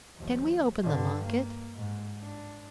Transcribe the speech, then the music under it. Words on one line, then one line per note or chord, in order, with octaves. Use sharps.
Can we open the locket?
D#2 F3
G2 D3
A#3
G#2
D4